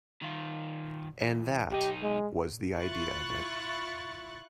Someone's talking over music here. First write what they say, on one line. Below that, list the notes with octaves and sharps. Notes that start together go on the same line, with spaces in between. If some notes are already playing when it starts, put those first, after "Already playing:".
And that was the idea of it.
D#3 F4
E2
B1 D#4 G4
G#3
E4 F4 C#6 F#6 A6